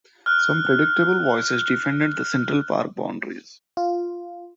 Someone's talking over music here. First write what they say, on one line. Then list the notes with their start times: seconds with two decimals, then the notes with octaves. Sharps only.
Some predictable voices defended the Central Park boundaries.
0.26 F6 F#6
3.77 F4